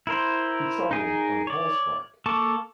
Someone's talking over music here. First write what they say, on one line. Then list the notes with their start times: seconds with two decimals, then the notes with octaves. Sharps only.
He traveled on horseback.
0.07 E4 A#4 C5
0.91 D#4 G#4 A#4
1.47 C#5 D5
2.26 A#3 A4 A5 C#6 D6